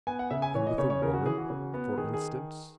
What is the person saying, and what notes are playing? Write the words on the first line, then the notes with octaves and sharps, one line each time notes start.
And with a woman, for instance.
B3 G#5
F#5
C#3 E5
G#5
E3 C#5
D#5
C#3 C#5
C#5
C#3 A#4
F#4
E3 G#4
F#4
C#3
B3
D#3 G#4
G#4